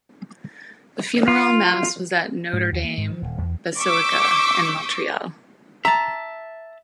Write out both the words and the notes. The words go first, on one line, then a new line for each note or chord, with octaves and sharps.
The funeral Mass was at Notre Dame Basilica in Montreal.
F4
G#2
D#2
A#3
G#2
F3
D#1
E2
C#6 D6 E6 G6 B6
E5 A5 A#5